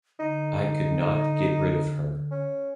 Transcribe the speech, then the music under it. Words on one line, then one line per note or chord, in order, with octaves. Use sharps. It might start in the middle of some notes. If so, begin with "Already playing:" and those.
I could not get rid of her.
D3 D#4
C#4